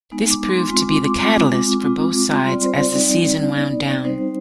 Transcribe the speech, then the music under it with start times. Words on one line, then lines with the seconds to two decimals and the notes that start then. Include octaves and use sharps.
This proved to be the catalyst for both sides as the season wound down.
0.11 G#3 B3 D#4
0.30 D6
0.49 C6
0.67 G#3 C4 F4 C6
0.81 D6
0.96 D6
1.10 D6
1.23 G#3 C4 F4
1.80 G#3 C4 F4
2.36 G3 C4 F4 C6
2.51 D5
2.64 C5
2.78 D5
2.93 G3 C4 D#4
3.49 B3 D#4
4.04 G3 C4 D#4 C5